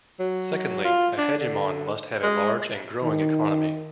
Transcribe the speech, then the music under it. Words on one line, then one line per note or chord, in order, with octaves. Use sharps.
Secondly, a hegemon must have a large and growing economy.
F#3
F4
D4
D3
G#3
D#3